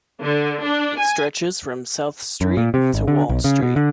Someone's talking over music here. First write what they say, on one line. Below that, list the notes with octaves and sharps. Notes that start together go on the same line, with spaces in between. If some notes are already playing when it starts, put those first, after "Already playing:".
It stretches from South Street to Wall Street.
D3
D4
G#5
F#2
A#2
C3
G#1
D3
B1
C#3
B2
D3